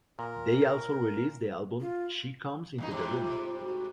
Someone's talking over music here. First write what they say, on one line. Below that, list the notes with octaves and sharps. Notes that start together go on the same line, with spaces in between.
They also released the album "She Comes Into The Room".
A#2 A#4
F4
E2 B2 D#4
G#2 C3 G3
F4
F#4